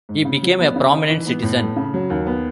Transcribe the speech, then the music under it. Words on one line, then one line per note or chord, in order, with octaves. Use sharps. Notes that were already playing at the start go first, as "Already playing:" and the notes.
He became a prominent citizen.
G#2
C#3
F#3
B3
C#3
D#4
E3
B3
A2
A3
C#3
F#3
D#2
B3